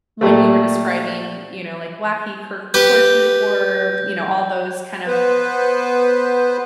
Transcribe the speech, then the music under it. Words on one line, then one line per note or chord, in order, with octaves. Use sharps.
When you were describing, you know, like wacky, kirk quirky, horror, you know, all those kind of
A#2 G3 A3
G4 B4 G6
B3 B4 C5